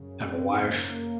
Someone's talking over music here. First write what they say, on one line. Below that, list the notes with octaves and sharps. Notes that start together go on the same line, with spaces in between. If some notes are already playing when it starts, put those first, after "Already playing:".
I have a wife,
Already playing: F#2 C#3
C4
A#3